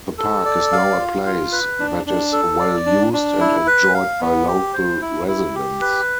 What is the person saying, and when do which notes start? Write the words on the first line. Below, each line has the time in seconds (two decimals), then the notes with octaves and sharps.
The park is now a place that is well-used and enjoyed by local residents.
0.18 A4
0.45 D5
0.72 F5
0.99 F4
1.26 F4
1.52 B4
1.80 D4
2.07 D4
2.33 A4
2.59 D5
2.86 D4
3.13 D4
3.40 E4
3.67 B4
3.94 F5
4.21 B3
4.48 G4
4.74 C5
5.01 E4
5.28 E4
5.55 G4
5.81 B4